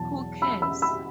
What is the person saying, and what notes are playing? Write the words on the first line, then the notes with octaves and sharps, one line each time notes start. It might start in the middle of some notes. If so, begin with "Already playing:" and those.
Who cares!
Already playing: E2 B2 F#3 A5
B5 E6
B5 E6
B5 E6